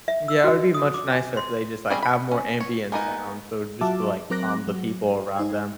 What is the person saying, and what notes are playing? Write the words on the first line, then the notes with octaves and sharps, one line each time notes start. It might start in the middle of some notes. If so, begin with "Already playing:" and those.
Yeah, it would be much nicer if they just, like, have more ambient sound, so just to, like, calm the people around them
E5
E6
F#4
D#6
D6
G#5
C6
G3 C4 C#4 G#4
B5
C#4
C#5
G#3 A#3 B3 D#4 D#5
F#3 F4 F#4 E5 A5 D6
F#3 C4 A#4 D6 F#6 A#6
F#3
D#4 C5 G#5